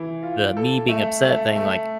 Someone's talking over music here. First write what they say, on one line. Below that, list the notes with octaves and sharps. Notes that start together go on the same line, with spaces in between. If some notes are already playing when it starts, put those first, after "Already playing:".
the me-being-upset thing, like,
Already playing: E3
F4
A4
A3
A3
A3